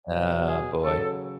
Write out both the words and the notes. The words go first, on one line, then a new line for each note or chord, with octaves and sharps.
Oh boy.
B2 F#3
G#4
C#3 F#3 A4